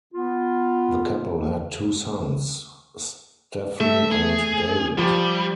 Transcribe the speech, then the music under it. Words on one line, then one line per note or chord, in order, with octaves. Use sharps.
The couple had two sons: Stephen and David.
B3 F4
A3 E5
G#4
F3 G3 G4